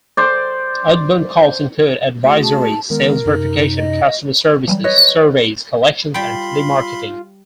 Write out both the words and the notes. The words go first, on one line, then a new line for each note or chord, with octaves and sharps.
Outbound calls include advisories, sales verification, customer services, surveys, collections and telemarketing.
C5 D5
A3 F#4 G#4
A5
D#3 G#3 B3 A#4
F#2 C3 D#4
D#5
E3 F#3 G3
B4 C#5 D#5
G3 F4 G5 B5 C6